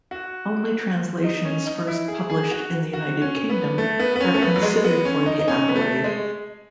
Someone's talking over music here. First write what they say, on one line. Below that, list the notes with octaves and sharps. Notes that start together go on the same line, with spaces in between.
Only translations first published in the United Kingdom are considered for the accolade.
F#4
D#4
C#4
D#4
E4
G#4
G#4
F#4
F#4
C#4
B3
A3
B3
B3
C#4
A3
B3
F#3
G#3
B3
C#4
D#4
D#4
C#4
B3
A3
G#3